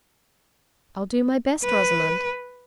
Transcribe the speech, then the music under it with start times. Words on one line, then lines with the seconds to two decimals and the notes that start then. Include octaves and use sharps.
'I'll do my best, Rosamond.
1.64 B4